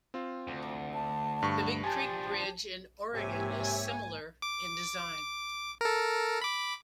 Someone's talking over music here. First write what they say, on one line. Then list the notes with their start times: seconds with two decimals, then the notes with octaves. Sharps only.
The Big Creek Bridge in Oregon is similar in design.
0.14 C4 F4
0.47 D2
0.94 A5
1.43 G2 C#6
1.84 F3 D4 G4 G#5 A5
3.14 G#2 C3 A#3 G4 C#5 E5 G#5
4.42 D6
5.81 A4 A#4
6.42 B5 D6